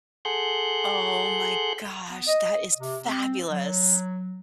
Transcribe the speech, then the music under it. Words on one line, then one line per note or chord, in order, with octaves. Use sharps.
Oh my gosh, that is fabulous!
G#4 A4 F#5 C6 F#6 G6
B3
D#5
C3
C4
F#3